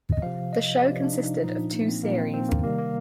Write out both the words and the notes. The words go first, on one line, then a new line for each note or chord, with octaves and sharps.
The show consisted of two series.
D#5
C3 F3 F5
D#5
C3 F3 D5
D4
D#4
A#2 F3 D#4
D4
A#3
C4
A#2 F3 A#3
C4
C4
A#3
C3 D#3 G3 A#3
A#3